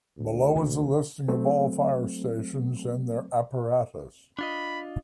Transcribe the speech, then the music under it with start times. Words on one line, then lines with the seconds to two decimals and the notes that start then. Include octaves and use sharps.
Below is a listing of all fire stations and their apparatus.
0.17 D2
0.55 D3 E3 A#3
1.28 F#3 A3 C4
4.39 D4 F4 D#5 B5